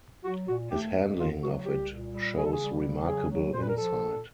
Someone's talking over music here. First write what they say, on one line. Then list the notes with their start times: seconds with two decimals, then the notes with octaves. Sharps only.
His handling of it shows remarkable insight.
0.24 F#3 F#4
0.48 A#2 F#4
0.71 A3 G4
0.95 F2
1.18 D3 F4
1.42 F#3 F#4
1.65 C2 G4
1.89 A#2
2.12 G3
2.35 C#3 G#4
2.44 A4
2.53 G#4
2.59 G3
2.82 C#3
3.06 F#3 G#4
3.29 F#3
3.52 A#2 C5
3.61 B4
3.69 A#4
3.76 F3 A4
3.99 A#2